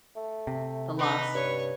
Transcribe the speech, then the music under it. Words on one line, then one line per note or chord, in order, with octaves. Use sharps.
The loss.
A3
C3
D#4 B4
G2 C#5